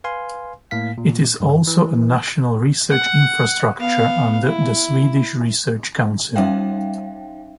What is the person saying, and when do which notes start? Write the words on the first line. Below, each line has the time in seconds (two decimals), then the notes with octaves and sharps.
It is also a national research infrastructure under the Swedish Research Council.
0.04 B4 F5 G#5 C6
0.71 A2 A#3 F5 B6
0.98 A#2
1.40 G2
1.67 E3
2.90 F#5
3.79 B3 F5
4.45 E4
6.36 G3 C#4 D#4 E5 F5 G5